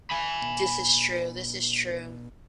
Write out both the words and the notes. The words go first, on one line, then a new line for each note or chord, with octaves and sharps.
This is true, this is true.
G#5 B5